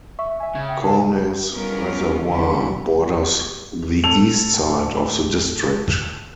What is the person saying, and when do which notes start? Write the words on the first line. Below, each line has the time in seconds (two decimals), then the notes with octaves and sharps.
Kaunas Reservoir borders the east side of the district.
0.19 E5 C#6
0.40 E5 G#5
0.55 C#3 G#6
0.68 G5
0.83 D#4 A#4 G#5 A5
1.52 D#3 G3 B3 C#4 F4 A#4
2.25 D3 F#3 C#4 D4 E4
4.04 A2 A4 F7